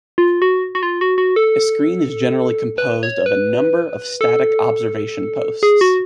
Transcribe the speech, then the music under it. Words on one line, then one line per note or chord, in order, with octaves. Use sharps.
A screen is generally composed of a number of static observation posts.
F4
F#4
F#4
F4
F#4
F#4
A4
B4
C#5
B4
A4
G#4
F#4